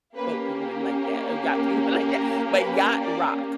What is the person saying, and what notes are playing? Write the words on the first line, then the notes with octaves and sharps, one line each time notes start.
Boat people wouldn't like that or yacht people wouldn't like that, but Yacht Rock.
A#3 C#4 G4 B4
A#4
B4
D5